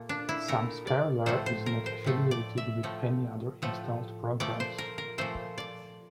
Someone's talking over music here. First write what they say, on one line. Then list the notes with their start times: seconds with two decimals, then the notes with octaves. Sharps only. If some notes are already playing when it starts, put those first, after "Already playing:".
Some scareware is not affiliated with any other installed programs.
Already playing: A#2 A3 A#3
0.09 D4
0.29 E4
0.48 A#2 A3 A#4
0.87 D5
1.26 A2 F3 A3 C5
1.46 C5
1.66 A#4
1.86 C5
2.04 A2 F3 A3
2.31 D5
2.58 E5
2.83 A2 F3 A3
3.62 A2 F3 A3
4.40 A#2 F3 A3 D5
4.60 C5
4.78 A#4
4.98 A#4
5.18 A#2 F3 A3 C5
5.58 D5